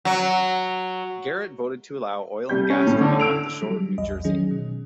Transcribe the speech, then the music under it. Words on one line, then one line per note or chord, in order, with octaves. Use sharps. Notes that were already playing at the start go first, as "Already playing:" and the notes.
Garrett voted to allow oil and gas drilling off the shore of New Jersey.
F#3
C2 G3 G6
C#4
A2
D3
E6 D7 F7
F#3 G3
A#1 E2 D#5
D#3 F#3 C#4 G#4
B2